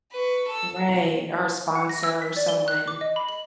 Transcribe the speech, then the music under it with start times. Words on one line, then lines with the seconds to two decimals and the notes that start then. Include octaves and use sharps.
Right. Or a sponsor or someone.
0.11 B4 C#6
0.47 A4 E6
1.75 F#5
1.89 A#6
2.03 E6
2.22 B6
2.37 D5
2.48 G7
2.68 F#6
2.88 D6
3.01 D#5
3.16 B5
3.29 F#7